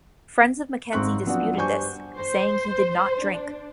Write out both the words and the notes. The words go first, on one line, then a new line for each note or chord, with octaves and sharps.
Friends of Mackenzie disputed this, saying he did not drink.
G#1 G#2 C4 C6 C#6 F#6
F3 F#3 B3 C4 D4 F#4
G2 G3 C5 G#5 C#6 G6
C5
D4